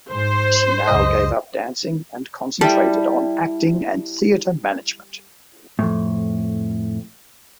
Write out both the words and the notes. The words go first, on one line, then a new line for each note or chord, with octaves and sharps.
She now gave up dancing, and concentrated on acting and theater management.
G#2 C5
C#2 F#2 D#5
G3 E4 A4
F2 A2